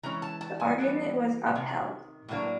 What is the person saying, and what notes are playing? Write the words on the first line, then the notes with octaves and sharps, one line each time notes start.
The argument was upheld.
E3 G#3 C#4 A#5
A5
A5
G#5
E3 G3 B3
C3 D#3
A2 F#3 A#3 D4